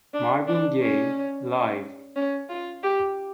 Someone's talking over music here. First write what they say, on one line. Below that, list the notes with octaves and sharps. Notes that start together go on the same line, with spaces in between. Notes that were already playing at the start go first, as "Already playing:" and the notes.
Marvin Gaye Live!
D4
D4
C#4
C#4
F4
G4